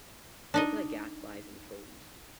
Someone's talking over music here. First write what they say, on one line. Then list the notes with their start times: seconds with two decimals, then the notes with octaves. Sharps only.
Most of the gas lies in Troll East.
0.54 D4 D#4 D#5